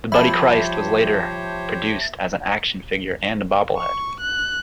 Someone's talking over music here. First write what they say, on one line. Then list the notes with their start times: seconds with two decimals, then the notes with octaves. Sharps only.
The Buddy Christ was later produced as an action figure and a bobblehead.
0.12 F3 G3 G4 C5 C#5 E5 A5 B5
3.76 C#6
4.20 F#6